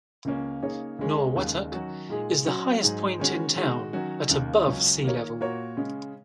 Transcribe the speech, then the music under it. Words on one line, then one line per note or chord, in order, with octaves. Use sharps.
Norwottuck is the highest point in town at above sea level.
C#2 C#3 A#3 C#4
C#3 A#3 D#4 G#4 C#5
C#2 C#3 G#3 C#4 G#4
D#2 C#3 G#3
D#3 F#3 C#4 F#4
A#2 G#3 D#4 G#4
F#3 C#4 F#4
G#2 F#3 D#4 G#4
D#3 G#3 C#4 F#4
D#3 G#3 F#4
D#3 F#3 C#4 F#4
D#2 C#3 A#3
C#2 C#3 F#3 C#4
D#3 A#3 D#4 A#4 C#5
A#2 A#3 F#4 A#4 C#5
C#3 G#3 C#4